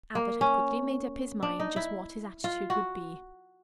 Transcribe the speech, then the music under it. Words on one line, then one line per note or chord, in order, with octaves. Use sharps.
Mr. Abbott had quickly made up his mind just what his attitude would be.
A#3
C#4
D4
D#4
E4
F4
F#4